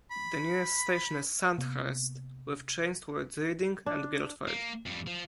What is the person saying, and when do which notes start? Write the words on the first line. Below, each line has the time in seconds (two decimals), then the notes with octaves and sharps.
The nearest station is Sandhurst, with trains towards Reading and Guildford.
0.11 B5
1.58 C3 A#3 B3
3.86 D4
4.48 A#3
4.86 F2 G3
5.07 F3